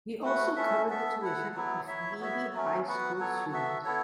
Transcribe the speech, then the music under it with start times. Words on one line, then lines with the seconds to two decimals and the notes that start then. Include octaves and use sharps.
He also covered the tuition of needy high school students.
0.23 A3 F#4 B4 F#5
0.56 A3 C#4 A4 E5
0.89 B3 A4 E5
1.22 E4 A4 F#5
1.55 F#3 B3 E4
1.88 E4 C#5 E5
2.20 B3 F#4 C#5 E5
2.54 F#3 A3 C#4
2.86 B3 F#4 B4 F#5
3.19 F#3 B3 A4 C#5
3.52 B3 F#4 A4 E5
3.85 B3 E4 A4 C#5